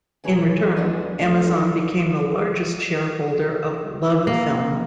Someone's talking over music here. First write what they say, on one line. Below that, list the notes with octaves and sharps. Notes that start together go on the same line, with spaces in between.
In return, Amazon became the largest shareholder of LoveFilm.
B2 E3 G#4 C#5 A#5
F#2 E3 G#3 B3 D4 F#4
A3 D4 A4
A#3